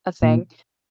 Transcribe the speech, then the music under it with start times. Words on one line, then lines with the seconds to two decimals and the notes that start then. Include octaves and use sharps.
a thing.
0.22 A#2